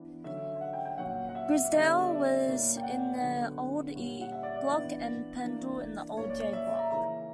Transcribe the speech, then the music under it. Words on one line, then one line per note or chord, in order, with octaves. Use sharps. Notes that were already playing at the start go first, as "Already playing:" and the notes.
Grizedale was in the old 'E' Block and Pendle in the old 'J' block.
Already playing: E3 B3 D4
D3 F#3 C#4 E5
F#5
G5
G5
A#2 F#3 C#4 F#5
F#5
E5
D3 G3 B3 D4 D5
E5
D5
A#2 A#3 C#4
G5
F#5
D3 F#3 B3 D4
A#2 G3 C#4
F#5
E5
D5
D5
E3 B3 D4 D5
E3 A#3 D4
A#2 A#3 C#4 C#5
D5
D5
E5
A#5
C#3 E3 A#3 C#4 A#5